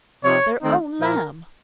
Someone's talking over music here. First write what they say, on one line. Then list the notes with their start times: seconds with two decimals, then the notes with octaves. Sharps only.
Their own Lamb!
0.23 C3 F3 C4 D#4 C#5
0.61 D#3 A3 C4 D#4
0.99 A#2 F3 A#3 A#4